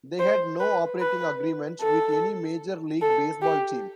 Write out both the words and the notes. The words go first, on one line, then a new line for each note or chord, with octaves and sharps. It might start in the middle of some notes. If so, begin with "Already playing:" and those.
They had no operating agreement with any Major League Baseball team.
C5
B4
B4
A4
A4
G4